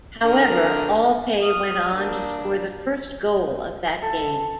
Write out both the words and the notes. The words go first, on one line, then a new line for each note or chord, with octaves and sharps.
However Alpay went on to score the first goal of that game.
D3 A#4
D#6 F6
A#3 D4
A4